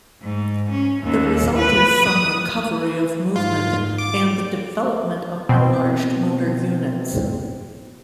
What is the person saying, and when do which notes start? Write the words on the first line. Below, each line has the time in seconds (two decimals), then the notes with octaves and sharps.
The result is some recovery of movement and the development of enlarged motor units.
0.21 G#2
0.70 C#4
1.03 D#2
1.57 B4
2.07 D#6
3.36 G#2 F4
3.98 D6
5.49 B2 C4